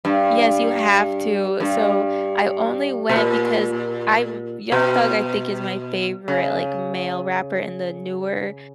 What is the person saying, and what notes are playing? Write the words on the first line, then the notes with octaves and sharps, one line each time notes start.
Yes, you have to. So I only went because I've Young Thug, I think, is my favorite, like, male rapper in the newer
G2
G2
B2
A#2
B2
C#3